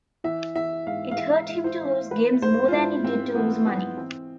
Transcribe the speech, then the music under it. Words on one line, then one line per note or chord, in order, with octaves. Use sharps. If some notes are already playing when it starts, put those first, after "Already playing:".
It hurt him to lose games more than it did to lose money.
E3 E5
E3 E5
G#2 F5
F5
E3 E5
G#2
C5
E3
E3 B4
G#2 C5
F4
G#2 E4
G#2 C4
E3 B3
G#2 B3
E3 C4